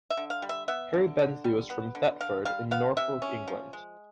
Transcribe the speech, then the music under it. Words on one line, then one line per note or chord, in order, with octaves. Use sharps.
Harry Bensley was from Thetford in Norfolk, England.
E5
D3
F5
G3
E5
B3 E5
D3
D3
G3
B3
D3
D3 F5
G3 F5
B3 F5
C3 E5
C#4
F3
G#3